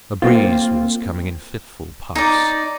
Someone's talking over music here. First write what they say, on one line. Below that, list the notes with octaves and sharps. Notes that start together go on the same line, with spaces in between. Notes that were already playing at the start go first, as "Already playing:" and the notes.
A breeze was coming in fitful puffs.
A#3 C4 F4
D#4 D5